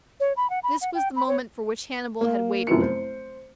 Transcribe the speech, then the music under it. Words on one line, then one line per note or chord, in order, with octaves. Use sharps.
This was the moment for which Hannibal had waited.
C#5
B5
F#5
B5
F#5
G5
B5
C#5
A#3
F1 F#2 F3 B3 E4 C#7
C5